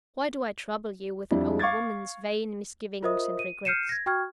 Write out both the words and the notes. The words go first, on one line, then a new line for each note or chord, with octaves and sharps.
Why do I trouble you with an old woman's vain misgivings and regrets?
F2 G3 D4 E4
F5 C#6 D6 G#6 A6
F4 A#4 C5 D#5 E5 D#6
D#7
F6 G6 C7 C#7 D#7 E7
G#6 A#6
F#4 G5 C#6 F6 G#6